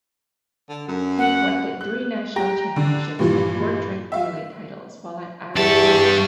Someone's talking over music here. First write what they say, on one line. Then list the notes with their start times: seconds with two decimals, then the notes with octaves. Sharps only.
He collected three national championships and four Drake Relay titles while at Iowa State.
0.69 D3
0.88 F#2
1.18 F#5
1.81 F#6
2.36 G4 A#5 A#6
2.76 D3
3.19 G2 A#2 E3 F3
4.12 E5 F5
5.56 E2 G2 G4 E5 A5 C#6